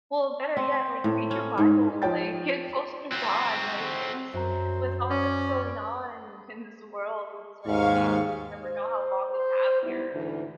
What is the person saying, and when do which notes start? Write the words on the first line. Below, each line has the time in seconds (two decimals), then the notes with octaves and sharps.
well, better yet, like read your Bible, like, get closer to God. Like it's with all that's going on in this world, it's like you never know how long you have here.
0.57 C4
1.04 A2
1.31 C#4
1.58 G#2
2.02 F3 C#5 G5 A6
3.12 C4 F#4
4.34 F#2 F#4 C5 A#5
5.10 C#4 C#5 D5
7.67 D#2 G#2 F5 C#6
8.63 C5
9.31 C5
9.83 G#2 G3 B3 E4
10.13 D2 G#2 D3 E3